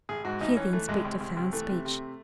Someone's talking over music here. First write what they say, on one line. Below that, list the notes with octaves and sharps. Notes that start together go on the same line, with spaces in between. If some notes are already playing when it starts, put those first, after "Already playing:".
Here the inspector found speech.
A1 G#4
G#2 F#4
A1 D#4
E3 C#4
E3 A3
A1 G#3
C2
C2
C2
E3 A3
C3
C3